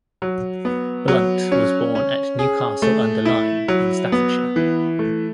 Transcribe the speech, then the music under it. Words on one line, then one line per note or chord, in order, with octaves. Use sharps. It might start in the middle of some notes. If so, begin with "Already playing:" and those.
Blunt was born at Newcastle-under-Lyme in Staffordshire.
F#3
B3
F#3
C#4
C#4
G#4
A3
E4
F#3
B3
E3
A3